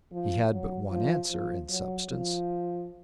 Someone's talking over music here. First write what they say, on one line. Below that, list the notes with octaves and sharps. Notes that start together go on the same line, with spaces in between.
He had but one answer, in substance.
F3
F#3
F3
F3
F#3
F3